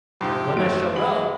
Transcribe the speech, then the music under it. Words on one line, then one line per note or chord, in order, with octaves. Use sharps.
when that showed up,
F2 G#2 C3 G4 C6
F#1 F#3 A3 D7
G#3 F#5 B5 F#7